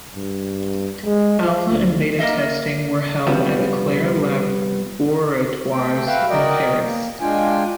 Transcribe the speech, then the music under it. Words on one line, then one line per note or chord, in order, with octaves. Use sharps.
Alpha and beta testing were held at Eclair Laboratoires in Paris.
G2
G#3
F3
D2
A#3 A#4 D#5 E5
G2 C3 F3 G3 B3 F#4
A3 A4 G5
F#4 B4 E5 F5 G5
F#4 A#4 D5 D#5 G5
A#3
G#3 D4 F4 G5 G#5